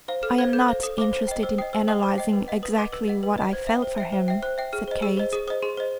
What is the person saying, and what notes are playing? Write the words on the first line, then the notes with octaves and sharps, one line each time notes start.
"I am not interested in analyzing exactly what I felt for him," said Kate.
C5 F5
A4 F6
C5 F5 G#6
A4 G6
C5 F5
A4 D#6
C5 F5 D6
C5
D#5 G5
C5 E6
D#5 G5 D#6
C5 E6
D#5 G5 D#6
C5 D6
D#5 G5
B4
D#5 F#5
B4 D#6
D#5 F#5 D6
B4 E6
D#5 F#5
B4
D#5 F#5
C5 G#6
E5 G5
C5
E5 G5
C5
E5 G5
C5 F#6
E5 G5
G#4 F6
C5 D#5
G#4 E6
C5 D#5
G#4 D#6
C5 D#5 D#6
G#4 C6
C5 D#5